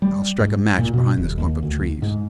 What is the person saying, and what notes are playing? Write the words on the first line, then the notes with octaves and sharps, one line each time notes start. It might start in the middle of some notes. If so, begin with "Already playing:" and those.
I'll strike a match behind this clump of trees.
G3
G#2
A#2
B2
D#1
D#2
D2
G#2